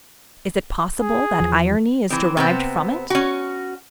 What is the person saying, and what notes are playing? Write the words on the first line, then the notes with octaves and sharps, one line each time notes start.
Is it possible that irony is derived from it?
G#4
E2 F3
E3 C4
C3 B3 C4
C#4 F#4